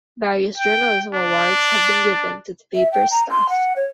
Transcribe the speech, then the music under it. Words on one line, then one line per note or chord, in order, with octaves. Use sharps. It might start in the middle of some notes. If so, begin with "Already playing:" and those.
Various journalism awards have been given to the paper's staff.
G5
D4
E5
G5
A#5
C6
F#5
C#5